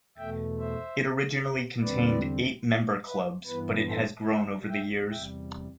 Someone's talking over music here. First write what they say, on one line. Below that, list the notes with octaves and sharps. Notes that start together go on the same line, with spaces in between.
It originally contained eight member clubs, but it has grown over the years.
E2 B2 A3 E5 G5
C5 E5
E2 D3 G3 C4 B4 D5
B4
G2 E3 B3 B4
A4 C5
C5 E5
E5 G5
E2 C3 G3 E5 G5